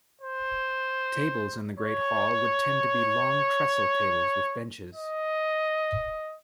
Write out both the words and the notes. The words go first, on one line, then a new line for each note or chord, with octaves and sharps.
Tables in the great hall would tend to be long trestle tables with benches.
C5
C#5
D#5